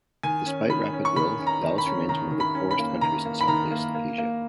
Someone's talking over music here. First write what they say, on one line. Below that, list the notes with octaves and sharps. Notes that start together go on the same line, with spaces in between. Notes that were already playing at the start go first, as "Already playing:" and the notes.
Despite rapid growth, Laos remains one of the poorest countries in Southeast Asia.
D#3 G#5
C#4
D#3 B5
C#4
C#6
D#3 B5
C#4
A#5
D#3
B5
C#4
D#3 A#5
D#3
B5
C#4
B5
A#3
D#3 A#5
A#3
B5
D#3 A#5
A#3
A#3
A#3